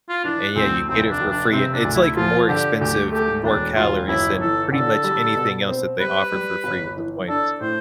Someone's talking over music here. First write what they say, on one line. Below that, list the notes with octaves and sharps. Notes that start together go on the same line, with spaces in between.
and yeah, you get it for free, and it's, like, more expensive, and more calories, than pretty much anything else that they offer for free with the points.
F4
E3 D4
D2 C4
F1 C4
D4
F1
D4
C3 C4
D4
D2
E4
F3 F4
D3 G4
D2 G4
A3 G4
E1 D4
E1 F4
G1 E4
E3 A4
D3 A4
G3
B2
C4
G3 B4
G3
G1
E3
D4 A4
A2 C5